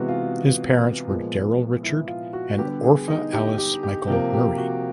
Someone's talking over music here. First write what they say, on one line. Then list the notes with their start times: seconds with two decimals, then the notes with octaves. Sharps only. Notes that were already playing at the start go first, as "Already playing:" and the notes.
His parents were Darrell Richard and Orpha Alice Michael Murray.
Already playing: C3 E3 G#3 B3 F#4
0.09 F4
1.08 A#2 F3 G#3 B3
1.83 E4
2.08 F4
2.33 F#4
2.58 D3 G3 B3 G4
2.83 G#4
3.08 D#4
3.33 G4
3.58 G4
3.83 G4
4.08 C3 F3 A#3 G4
4.34 G4
4.58 F#4